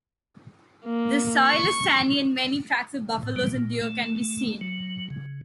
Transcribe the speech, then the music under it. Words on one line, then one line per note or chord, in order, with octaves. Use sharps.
The soil is sandy and many tracks of buffalo and deer can be seen.
A#3
C#6
A2
G3
A#2
A3
A3
F#3
C#3